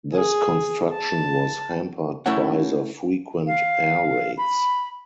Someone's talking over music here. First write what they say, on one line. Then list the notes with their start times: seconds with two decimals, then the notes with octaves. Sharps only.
This construction was hampered by the frequent air raids.
0.14 G#4
0.93 A5
2.26 A3 C#4 E4 A#4 C#5 F#5
3.47 F5
4.38 B5